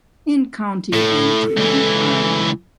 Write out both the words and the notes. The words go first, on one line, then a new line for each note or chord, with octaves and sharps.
In County Antrim in Ireland.
A2 A4
C#2 E3